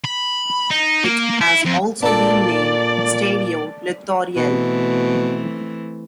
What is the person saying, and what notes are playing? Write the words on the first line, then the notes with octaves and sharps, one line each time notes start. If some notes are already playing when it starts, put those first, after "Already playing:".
It has also been named Stadio Littoriale.
B5
D#4
A#3
E4
F2
A#2 D4 A4 D5
B2 E3 A3 C4